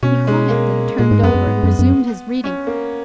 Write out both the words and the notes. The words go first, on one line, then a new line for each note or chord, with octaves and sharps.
He quietly turned over, and resumed his reading.
B2 C#4
G#3
A#3
A#2 G#3
G#2
F#2 B3
F#2
G#2
F#2
F#2
C#4
A#3